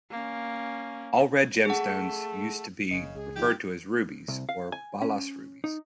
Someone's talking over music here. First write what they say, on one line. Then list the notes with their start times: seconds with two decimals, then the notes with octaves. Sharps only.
All red gemstones used to be referred to as rubies or "balas rubies".
0.11 A#3 C#4
1.65 A3 G#4 F#5
2.91 F#1 C#3 D#5
3.15 C#2 G#4
3.36 F3 D#4 F4 G4
4.28 C2
4.49 F5
4.72 G#5
5.02 C#4
5.64 D#4